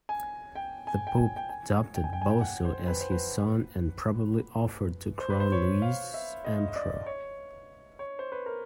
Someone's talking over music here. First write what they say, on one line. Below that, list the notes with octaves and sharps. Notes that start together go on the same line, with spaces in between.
The Pope adopted Boso as his son and probably offered to crown Louis emperor.
G#5
G5
G#5
G5
G#5
G5
G#5
G5
G#5
G5
G#5
G5
F#5
C5
B4
C5
B4
C5
B4
C5
C#5
F5
E5
D#5
D#5
D5
C#5
C#5
C5
B4
A#4